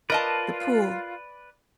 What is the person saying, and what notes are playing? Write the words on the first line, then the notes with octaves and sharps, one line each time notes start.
the pool,
F4 A#4 B4 D5 D#5 A5